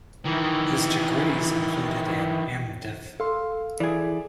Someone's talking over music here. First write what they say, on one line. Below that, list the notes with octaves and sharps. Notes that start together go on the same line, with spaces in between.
His degrees included an M. Div.
D#3 E3
A4 F5 C6
E3 G#4 D5